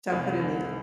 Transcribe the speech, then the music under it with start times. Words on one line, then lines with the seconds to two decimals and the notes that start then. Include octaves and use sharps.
So I'll put in the oh.
0.12 C2
0.41 C2